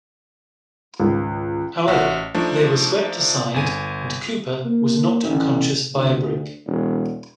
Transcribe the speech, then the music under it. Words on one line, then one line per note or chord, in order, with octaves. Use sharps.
However, they were swept aside and Cooper was knocked unconscious by a brick.
C#2 G#2 D#3
A1 F#4 E5
F3 A3 D4 D#4
G1 G#5 D#7
A#3
A1
D2
E1